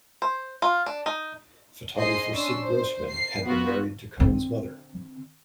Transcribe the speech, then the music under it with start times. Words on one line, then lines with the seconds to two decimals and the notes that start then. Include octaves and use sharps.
Photographer Sid Grossman had been married to Cohen's mother.
0.22 C5
0.62 F4
0.86 D4
1.06 D#4
1.97 G#4 C5 D#5 C6 C7
2.33 C#4 D4 C6 E6
2.63 C5
3.10 C7
3.45 B3 F4 F#4
4.20 D3 C4